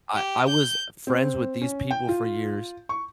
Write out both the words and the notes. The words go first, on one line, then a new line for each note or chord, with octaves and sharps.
I I was friends with these people for years
G4
G6
C4
C#4
G5
F4
C#6